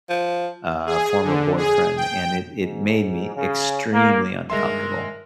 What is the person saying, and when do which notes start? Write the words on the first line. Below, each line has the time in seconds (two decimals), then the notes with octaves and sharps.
uh, former boyfriend, and it it made me extremely uncomfortable.
0.10 F3
0.87 G#4
1.23 D3
1.58 G#4
1.97 G5
2.59 G#2
3.35 C#3
3.93 A#3
4.50 G2 D#3 G#3 A#4 E5 A#5 C6